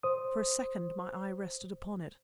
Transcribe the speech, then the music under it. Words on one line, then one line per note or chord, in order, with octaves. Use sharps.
For a second my eye rested upon it.
C5 D#6